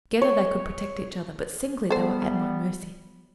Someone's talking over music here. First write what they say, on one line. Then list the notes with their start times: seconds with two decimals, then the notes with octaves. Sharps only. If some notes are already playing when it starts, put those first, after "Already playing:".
Together they could protect each other, but singly they were at my mercy.
0.22 C#5
1.90 G3 B3 A4 C5